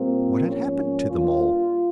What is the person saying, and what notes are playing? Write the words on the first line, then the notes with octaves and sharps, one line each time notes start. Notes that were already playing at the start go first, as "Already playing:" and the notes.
What had happened to them all?
Already playing: A#2 G3 A#3 C4
G#2 F3 A#3 C#4
G2 G3 A#3 F4